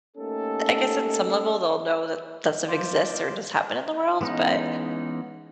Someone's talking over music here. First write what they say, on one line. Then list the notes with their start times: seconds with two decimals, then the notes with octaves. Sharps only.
I guess on some level, they'll know that, that stuff exists or does happen in the world, but,
0.17 A3 A#3 C#4 D#4 G4 A4
2.68 E2 F3 F4 C5 C6 D6
4.21 E3 G#3 B3 C#4 D#4